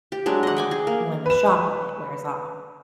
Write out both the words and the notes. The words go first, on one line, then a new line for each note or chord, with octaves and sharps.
um, when the shock of it wears off
G4
F#3 G#3 D4
D#5 F#5
G5 G#5 D6
G#4
A#3
B4 E7